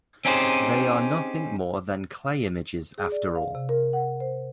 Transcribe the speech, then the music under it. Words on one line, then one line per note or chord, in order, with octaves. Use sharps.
They are nothing more than clay images after all.
C4 C#4 D#4 G4 G#4 C5
G#4
D5
F5
C3
A#4
F#5
C5